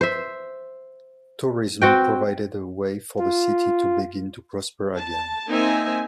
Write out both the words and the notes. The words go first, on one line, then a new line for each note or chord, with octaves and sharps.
Tourism provided a way for the city to begin to prosper again.
C5 E5
C4 F#4 G5
F4
A5
A#3 C4 D#4 E5 G#5